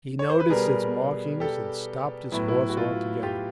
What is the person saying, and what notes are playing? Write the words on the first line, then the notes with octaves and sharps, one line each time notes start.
He noticed its marking, and stopped his horse altogether.
C#5
C5
B4
B2 G3 B3 G#4 A#4
G4 A4
A2 F#3 B3 E4
E4
F#4
F4
F4 G4